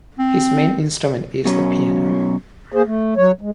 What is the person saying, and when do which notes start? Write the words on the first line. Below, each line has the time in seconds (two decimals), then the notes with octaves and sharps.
His main instrument is the piano.
0.19 C4
1.45 B2 F#3 C#4
2.72 A#3 G#4 C5
2.86 A3
3.17 F#3 C#5
3.41 G#3